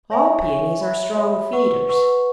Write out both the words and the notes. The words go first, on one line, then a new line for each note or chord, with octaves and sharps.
All Paeonies are strong feeders.
C#5 E5 G#5 C#6
C#5 E5 G#5 C#6
C#5 E5 B5
C#5 E5 B5
B4 F#5 C#6
B4 F#5 C#6